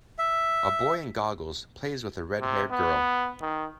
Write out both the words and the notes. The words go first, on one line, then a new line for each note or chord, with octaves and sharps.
A boy in goggles plays with a readhaired girl.
E5
C3
B3
D#3